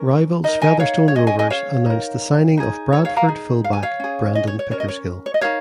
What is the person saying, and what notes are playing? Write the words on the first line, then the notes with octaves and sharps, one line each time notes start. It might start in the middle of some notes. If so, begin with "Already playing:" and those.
Rivals Featherstone Rovers announced the signing of Bradford fullback Brandon Pickersgill.
Already playing: C#4 A#4
D#4 A#4 D#5
D#5 G#5
C#5 F5
C#5
C#4 G#4 D#5
D#5 G#5
D#5 G#5
C#5 F5
D#4 A#4
D#4 G#4
C#5
C#5 F5
F5 A#5
D#4 G#4
F5
G#5
C#5 F5
C#4 G#4
D#5
C#5
C#5
C#4 A#4 C#5
D#5
C#5
C#5
D#5
D#4 A#4 C#5 F5